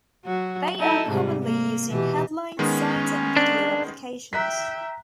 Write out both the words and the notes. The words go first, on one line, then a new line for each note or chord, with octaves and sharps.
They are commonly used in headlines, signs, and video applications.
F#3 F#4
D#4 E4 A4
G#2 C3 G3
A#3
B2 E3 G4
D#3 G#3 B3 C#4
D4
E5 G5 A#5 F#6 B6